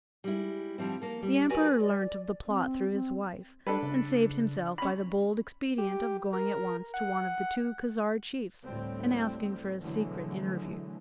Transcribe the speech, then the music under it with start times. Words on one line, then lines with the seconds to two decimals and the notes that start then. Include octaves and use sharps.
The emperor learnt of the plot through his wife, and saved himself by the bold expedient of going at once to one of the two Khazar chiefs and asking for a secret interview.
0.24 G3 G#3 E4
0.78 G2 D3 F3 G3 C4
1.01 A#3 A4
1.22 G3
1.49 F#4 G4 A#4 B4 D5 G#5
1.79 D5
2.48 C4
2.93 C4
3.67 G3 D4 A4 B4
3.83 C#3
4.78 C#4 B5
5.78 G4
6.33 A#4
6.94 F#5
8.65 D2 A2 G3 C4
9.81 B2 D3 E3 F#3 G#3 A3